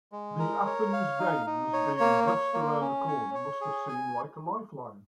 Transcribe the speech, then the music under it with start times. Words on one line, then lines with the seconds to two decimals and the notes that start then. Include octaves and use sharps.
The Athens games being just around the corner must have seemed like a lifeline.
0.12 G#3
0.39 A#4
0.66 C#5
0.93 F5
1.19 D#4
1.46 D#4
1.73 C#5
2.00 A#3
2.27 C#5
2.54 A#3
2.81 C#4
3.08 C#5
3.34 C#5
3.61 G#4
3.88 G#5